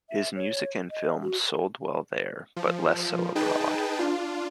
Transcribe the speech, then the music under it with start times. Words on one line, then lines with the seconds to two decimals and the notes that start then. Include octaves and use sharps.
His music and films sold well there but less so abroad.
0.10 E5
0.36 C#5
0.90 D#5
1.21 F#4
2.56 F3
3.35 D#4 G#4 B4 G5 A5
3.99 D4 F4